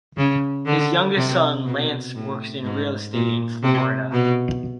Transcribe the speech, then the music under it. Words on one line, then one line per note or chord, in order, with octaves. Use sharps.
His youngest son Lance works in real estate in Florida.
C#3
D3
C3
B2
A2
G#2
A#2
C3
B2